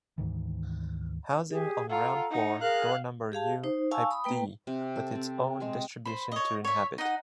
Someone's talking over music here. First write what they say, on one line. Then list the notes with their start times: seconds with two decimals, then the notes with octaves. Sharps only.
Housing on ground floor, door number U, type D, with its own distribution to inhabit.
0.18 D2 G#2 D#3 E3
1.50 G4 G#4
1.89 F4 A4 F#5 A#5
2.31 D#4 F#5
2.62 G#4 A#4 F5 F#6
3.32 G4 G#4 F5 A5
3.64 D#4 C5
3.91 F5 G#5 A5 C#6 E6
4.11 B5 D#6
4.24 A#3 B4 G5
4.67 C3
4.96 A4
5.15 C4
5.60 G#3 C4 G#4
6.05 C5 B5
6.32 C#5 D#5
6.64 C#5 E5
6.98 D#4 D#5 F#5